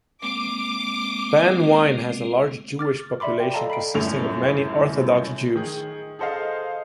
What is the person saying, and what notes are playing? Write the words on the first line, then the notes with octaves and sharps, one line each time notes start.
Penn Wynne has a large Jewish population consisting of many Orthodox Jews.
G#3 A#3 C4 D6
D6 F6 A6
D5 E5 B5 C6 D6
G5
A4 D5 D#5 F5 A5 A#5
B5 C7 D7
G1 F#2 A2 F7
D#3 G#4
G#4 A4 C5 D#5 F5